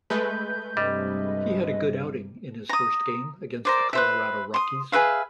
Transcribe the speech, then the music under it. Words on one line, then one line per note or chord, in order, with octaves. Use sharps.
He had a good outing in his first game, against the Colorado Rockies.
G#3 A3 B4 G6
G2 C3 G3 D#5
A#5 D#6
A#4 C5 D5
B4 C5 E5
C6 D#6
G#4 B4 E5 F5